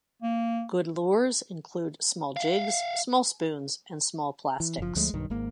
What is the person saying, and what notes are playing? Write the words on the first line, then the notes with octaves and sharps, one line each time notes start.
Good lures include small jigs, small spoons, and small plastics.
A#3
E5 F5
E3
F#1 F3
D2 F3 G#3 A3
B1 G2 D#3
G#1 G#2 A#3